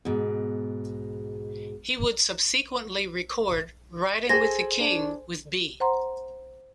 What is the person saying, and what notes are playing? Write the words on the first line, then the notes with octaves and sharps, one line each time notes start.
He would subsequently record "Riding with the King" with B.
G#2 B2
G#4 A4 C5 G#5 A#6
D4
C5 F#5 A#5 C6